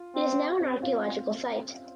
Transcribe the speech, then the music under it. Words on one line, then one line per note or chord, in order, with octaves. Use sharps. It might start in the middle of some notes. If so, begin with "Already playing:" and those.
It is now an archaeological site.
Already playing: F4
C4
G4
C4 C5
C#4 C#5
F4 F5